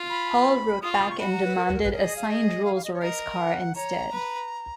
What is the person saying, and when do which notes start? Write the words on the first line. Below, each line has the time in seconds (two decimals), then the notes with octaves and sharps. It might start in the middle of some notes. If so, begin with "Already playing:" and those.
Hall wrote back and demanded a "signed Rolls-Royce car" instead.
Already playing: F4
0.10 B5
0.82 F4 D#6
0.92 C#6
1.00 D#6
1.10 C#6
1.19 F#4 B5
1.32 A#5
1.44 B4
1.56 A#4
1.66 B4
1.74 A#4
1.83 B4
1.93 G#4 A#4
2.04 D#5
2.17 F5
2.29 D#5
2.65 F5
2.75 F5
2.84 D#5
2.93 C#5
3.02 A#4 D#5
3.39 F#5
3.76 C#5 A#5
4.12 B4